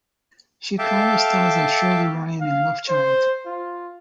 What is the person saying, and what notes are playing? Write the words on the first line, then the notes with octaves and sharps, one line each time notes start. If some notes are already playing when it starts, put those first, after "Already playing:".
She currently stars as Shirley Ryan in Love Child.
A4 E5 F5 G5 A5 D6
F5
C5
F4